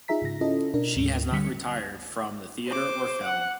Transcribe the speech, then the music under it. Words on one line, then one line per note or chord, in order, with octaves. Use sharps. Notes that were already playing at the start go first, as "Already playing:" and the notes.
She has not retired from the theater or film.
D#4 F4 G#4 E5 A#5 B6
G#2 C#3 A#6
C#4 E4 F4 A4 D#5
B2 D4 A#4
D2 G#2
D3 G3 B6 C#7
C5 D6
F#5